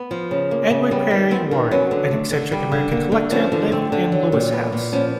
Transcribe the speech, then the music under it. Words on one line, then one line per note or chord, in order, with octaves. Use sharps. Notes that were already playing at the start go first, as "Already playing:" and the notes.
Edward Perry Warren, an eccentric American collector, lived in Lewes House.
Already playing: B3
F3
C#3
A#3
C#3
G3 B3
D#3
B3 C4
D#3
F#3 B3 C#4
D3
A3
D3
G3
D3
A#3
D3
F3 B3 C#4
D3
A3 C4
D3
F#3
A#2
B3
A#2
F3 B3 C#4